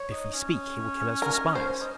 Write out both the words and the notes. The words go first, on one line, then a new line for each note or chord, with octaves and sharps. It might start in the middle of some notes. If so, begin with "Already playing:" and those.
But if we speak, he will kill us for spies.
Already playing: C#5
D#4
C#4
A#4
C5
D#4